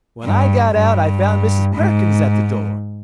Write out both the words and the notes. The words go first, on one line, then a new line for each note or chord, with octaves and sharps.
When I got out I found Mrs. Perkins at the door.
G2
G2
G#2